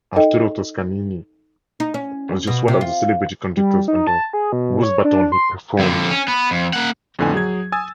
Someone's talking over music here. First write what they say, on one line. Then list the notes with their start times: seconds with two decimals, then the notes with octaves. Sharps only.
Arturo Toscanini was just one of the celebrated conductors under whose baton he performed.
0.16 D#4 A4 D#5 G5
1.80 D#4
1.94 C#4
2.47 B2
2.68 C3
2.81 F4
3.57 G3
3.88 D#4
4.07 A5
4.33 G#4
4.52 B2
4.82 C#5
5.05 D4
5.32 C6
5.79 F2 D3
6.10 C#4
6.28 B3
6.51 F2
6.73 A#3 F#5
7.19 F2 A2 D3 B3 G#5
7.34 F#3 G#4 G#6
7.72 G#5 D#6 E6 G#6 A6